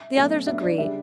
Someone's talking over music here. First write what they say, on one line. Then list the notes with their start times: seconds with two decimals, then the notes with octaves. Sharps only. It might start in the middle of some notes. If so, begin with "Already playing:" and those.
The others agreed.
Already playing: E5
0.15 B2 F#3 A3 C#4
0.47 F#3 B3 D4 E5
0.63 D5
0.78 C#3 G3 D4 E5